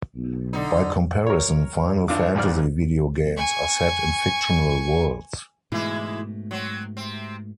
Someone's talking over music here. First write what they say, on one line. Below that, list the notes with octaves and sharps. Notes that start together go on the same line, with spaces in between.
By comparison, "Final Fantasy" video games are set in fictional worlds.
B1
D3 D#4
A#4 C#5
G#1 D4 F4 D6
A1 F2 G#2 D5 F6
G#5 C#6
G#2 B2 E3 G#3 A3 E4
F#3 C4
C3 C4